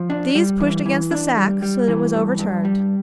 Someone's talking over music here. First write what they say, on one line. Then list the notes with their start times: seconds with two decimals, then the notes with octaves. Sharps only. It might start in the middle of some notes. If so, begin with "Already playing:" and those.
These pushed against the sack so that it was overturned.
Already playing: F3
0.10 D4
0.35 G3
0.60 E3
0.86 E3
1.11 D4
1.37 G3
1.62 G3
1.88 E3
2.13 G2
2.39 G2
2.65 G3